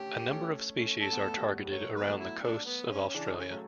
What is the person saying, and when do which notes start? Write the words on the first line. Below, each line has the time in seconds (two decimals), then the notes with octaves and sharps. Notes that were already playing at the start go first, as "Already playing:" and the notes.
A number of species are targeted around the coasts of Australia.
Already playing: D3 A3 C#4 G4
0.29 A3 C#4
0.77 A3 C#4
1.01 C#4 A4
1.12 B3
1.26 A3
1.37 G3 B3
1.65 G3
1.71 F#3 A3 C#5
1.96 B3 B4
2.08 F#3 A3
2.20 E4
2.43 D4
2.66 B3
2.91 C#4
3.08 C#4
3.14 C#3 E3 D4
3.38 C#4
3.50 F#3 A3